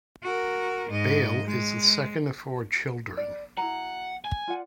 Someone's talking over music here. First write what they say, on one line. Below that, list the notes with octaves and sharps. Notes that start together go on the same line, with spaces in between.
Bail is the second of four children.
F#4 A#4
G#2 D#5
G#3
D5
E4 F#4 F#5 A#5
G#5
F4 D5 F#5